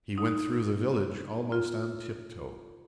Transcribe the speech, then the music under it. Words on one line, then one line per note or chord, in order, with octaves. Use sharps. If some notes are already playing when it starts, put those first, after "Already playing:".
He went through the village almost on tiptoe.
D#4
F4